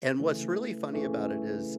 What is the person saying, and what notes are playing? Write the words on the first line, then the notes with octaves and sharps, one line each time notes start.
and what's really funny about it is
C#3 E3 A3
C#3 E3 A3